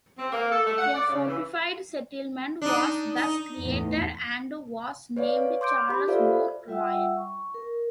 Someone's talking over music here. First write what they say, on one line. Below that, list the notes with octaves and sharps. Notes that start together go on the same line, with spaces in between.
A fortified settlement was thus created and was named Charlesbourg-Royal.
C4
A#3
A4
A3
F#5
D5
C#3
E3
D4 D#4
D#4
E2 A2
B4 C#5 D5 F5
C#5
C6 D6 G6 D7
G4 B5
F4 A4 C5 D5 E5 F5
G3 F4 E5 F#5 G5 E6
C#6
A#4